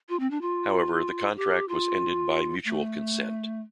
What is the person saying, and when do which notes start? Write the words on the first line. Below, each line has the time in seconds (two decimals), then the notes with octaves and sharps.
However, the contract was ended by "mutual consent".
0.09 F4
0.20 C4
0.31 D4
0.41 F4
1.36 G4
1.68 F4
2.65 A3